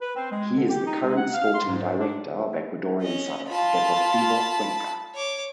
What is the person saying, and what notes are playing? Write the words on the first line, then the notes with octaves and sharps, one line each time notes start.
He is the current sporting director of Ecuadorian side Deportivo Cuenca.
B4
C4
G#3
D3
G4
D#4
G#3
F#5
F5
C6
G#2
D4
C#4 D#5
F4 A5 B5
C#5 D6